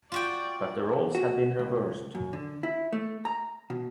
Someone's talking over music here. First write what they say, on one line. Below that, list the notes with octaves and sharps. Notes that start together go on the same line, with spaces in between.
But the roles had been reversed.
F4 F#4 D5 G5
F#4
C#2
F#2
D3
E4
A3
A#5
B2